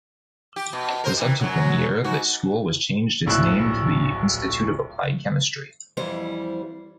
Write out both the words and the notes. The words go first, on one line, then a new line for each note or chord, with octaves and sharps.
The subsequent year, the school was changed its name to the Institute of Applied Chemistry.
G4
B2
A#4 C5
C3 E3
F#2 F#3
G#2 F#4
D1 A#1 A2 E4 E6 F#6
F2 E3 G3 E4 C5